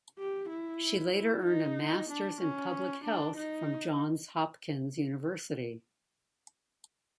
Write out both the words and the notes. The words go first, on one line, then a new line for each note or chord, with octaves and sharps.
She later earned a Masters in Public Health from Johns Hopkins University.
G4
E4
E4
D#4
D4
C#4
D4
D#4